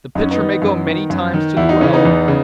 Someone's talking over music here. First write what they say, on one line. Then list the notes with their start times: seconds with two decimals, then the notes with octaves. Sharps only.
The pitcher may go many times to the well....'
0.15 F#2 D#4
0.22 C#4
0.31 B3 D#4
0.39 D#3
0.62 F#2
0.87 D#3
1.10 F#2
1.33 D#3
1.57 E2 E4
1.69 D#4
1.80 C#3 E3 C#4
1.93 B3 D#4
2.05 E2
2.28 C#3